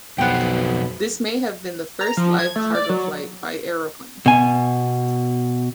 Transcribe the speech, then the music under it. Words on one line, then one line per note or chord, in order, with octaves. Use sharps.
This may have been the first live cargo flight by aeroplane.
B1 F2 B2 B3 C5 G5
A#5
F3
G#6
A3
D5
F#3
B2 G#5